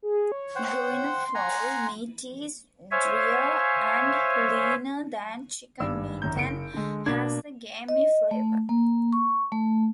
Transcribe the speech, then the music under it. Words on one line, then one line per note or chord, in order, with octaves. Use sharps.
Guineafowl meat is drier and leaner than chicken meat and has a gamey flavour.
G#4
C#5
C5 F#5 G5
C6
F#5 G#5 A#5
C5 C#5 E5 F5 G#5
G#1 G2 D5 E6
G#1 F#2 A#5 G6
F#1 C#7 D7
D3 G#3
B2 A#3 D4 G#6
D#5
A3
A#3
C#6
A3